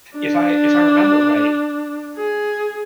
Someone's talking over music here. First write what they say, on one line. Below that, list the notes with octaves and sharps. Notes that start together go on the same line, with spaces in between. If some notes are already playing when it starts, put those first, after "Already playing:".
if I if I remember right,
D4
G#4